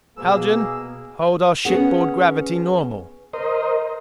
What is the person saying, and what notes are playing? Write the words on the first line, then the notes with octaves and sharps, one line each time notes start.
"Haljan, hold our shipboard gravity normal."
B2 A#3 G#4 E6
B3 C#4 G#4 F#5
A#4 C5 D#5